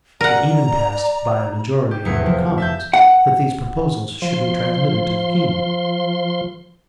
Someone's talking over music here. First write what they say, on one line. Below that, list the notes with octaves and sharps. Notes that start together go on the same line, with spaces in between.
It even passed by a majority among the commons, that these proposals should be transmitted to the King.
A#4 D5 F#5 A#5
G4
F1 E2 B3 E4 C#7
F3
E5 A5 G6
F#5
F3 C6